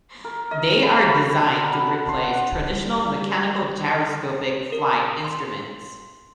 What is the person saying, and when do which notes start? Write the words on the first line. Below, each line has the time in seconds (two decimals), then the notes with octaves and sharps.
They are designed to replace traditional mechanical gyroscopic flight instruments.
0.24 A#4
0.51 D#5
0.83 B5
1.05 F#4
1.42 D4
1.56 A#4
1.69 B5
1.86 D4
2.08 C6
2.24 F#5
2.68 G3
4.72 A#4
5.24 C6